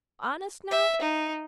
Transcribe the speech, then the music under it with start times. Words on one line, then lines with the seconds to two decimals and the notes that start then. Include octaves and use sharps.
"Honest, now?"
0.71 E5
1.01 D#4